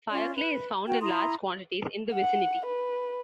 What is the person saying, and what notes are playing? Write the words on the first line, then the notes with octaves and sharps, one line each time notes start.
Fire clay is found in large quantities in the vicinity.
C#4 F4 D5 C6
B4
F#4 A#4 G5
E4 A#5 C6 D#6
F#5
B4